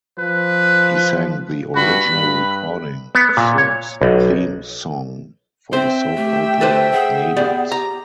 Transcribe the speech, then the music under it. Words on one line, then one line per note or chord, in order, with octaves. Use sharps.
He sang the original recording of the theme song for the soap opera "Neighbours".
F3 B4
G2 F#4 B5
G2 B4
B3
A#2
C#5
B1
C4 C5 E5 G5
A3 G4
A4 B4 C5
G#4 F#5
B3 G4 D5
G4 A#5